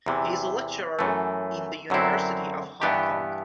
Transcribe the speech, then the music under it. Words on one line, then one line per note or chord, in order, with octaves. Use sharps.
He is a lecturer in at the University of Hong Kong.
E2 C3 E3
F#2 E3 A3
F#2 D3 F#3 C4 E4
G2 E3 B3 D4 G4